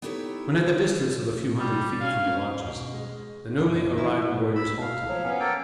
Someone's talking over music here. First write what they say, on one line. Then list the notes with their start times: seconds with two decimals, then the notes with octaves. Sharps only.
When at the distance of a few hundred feet from the lodges the newly arrived warriors halted.
0.02 B3 D#4 E4 G4 A4 C#5
1.59 G3
2.00 C#4 F5
2.66 B2
2.94 G#3
3.58 F#2
3.98 E4
4.56 B5 E6
4.81 F5
5.08 F3 F#3
5.24 B3 C#4
5.40 A#3 A4 G5